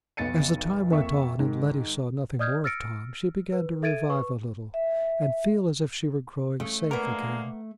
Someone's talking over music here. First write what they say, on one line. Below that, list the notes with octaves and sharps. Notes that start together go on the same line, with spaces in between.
As the time went on, and Letty saw nothing more of Tom, she began to revive a little, and feel as if she were growing safe again.
F1 B1 B3 A6 C#7 D#7
F2 A#3 E5 C#6
G#2 D#3
D5 D#5 D#6 F6 G6 G#6
E6 F6 A6 A#6 C#7 D7
B4
A4 E5 G#6 A6 D7 D#7
B4 C#6
E5
C#3 A3
D3 G#3 A#3 B3 A#4